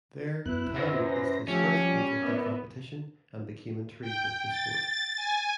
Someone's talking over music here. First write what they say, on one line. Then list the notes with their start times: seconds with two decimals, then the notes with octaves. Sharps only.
There, Tan witnessed his first weightlifting competition and became intrigued with the sport.
0.46 F#2 B3 E4 F#6
0.76 F#2 B4 C5 A#6
1.48 F3 A3 C#4 G4
1.83 G3
2.22 B3 A#4 D5 E5
4.02 G5
4.49 A6
5.16 G#5